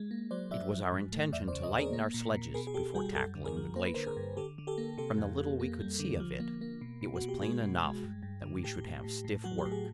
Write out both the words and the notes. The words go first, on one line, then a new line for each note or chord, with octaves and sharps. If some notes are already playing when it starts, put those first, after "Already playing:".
It was our intention to lighten our sledges before tackling the glacier; from the little we could see of it, it was plain enough that we should have stiff work.
Already playing: G#3
A#3
F#3 C5 D5
F#3 D5 E5
F3
G#2
A3
E2 D5 E5
C5 D5
C#3
C#5 D#5
C#3 G#4 A#4
A#3
A#2
A#2
B2 G#4 A#4
G#4
B2 G4 A4
G3 F#4 G#4
F#2 G4 A4
D3
G#4 A#4
F3
A#3 C5
B4
D3 A#4 C5
G#4 A#4
G2
D3 G4 A4
D3
G4 A4
A#3
C3 G4 A4
F2
F2
A#3
G3
D3
F3
A#3
A#3
B2
B2
F#4
B2
G4
G#3 F#4 G#4
B2
G#3
G2
G2
D3
A2 G4
A2
A2
A2
F#3 F#4
G4
A2
G#4